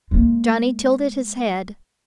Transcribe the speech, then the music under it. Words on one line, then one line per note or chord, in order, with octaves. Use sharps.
Johnny tilted his head.
G#3 A#3